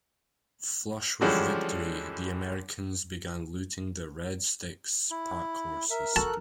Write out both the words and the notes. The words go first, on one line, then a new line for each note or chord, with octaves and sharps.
Flush with victory, the Americans began looting the Red Sticks' pack-horses.
D3 E3 F3 G3 G#3 C#4
E4
A#4 E5
F#4 A4 A5 F#6